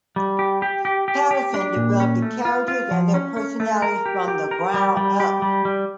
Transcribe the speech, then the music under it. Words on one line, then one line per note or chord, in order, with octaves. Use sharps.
Patterson developed the characters and their personalities from the ground up.
G3
G4
G4
G4
G4
G4
D4
A#2
C#4
A3
F4
F4
F3
C#4
C#4
A3
A#4
G4
G4
A#4
G3
G3
G4
G3
G3